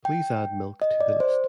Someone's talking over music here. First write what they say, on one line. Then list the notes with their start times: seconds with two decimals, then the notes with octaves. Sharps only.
Please add milk to the list.
0.05 G5
0.82 D#5
1.01 D5
1.20 C5